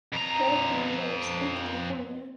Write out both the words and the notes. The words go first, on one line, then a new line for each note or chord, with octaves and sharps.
Gregg now lives in California.
F2 A#5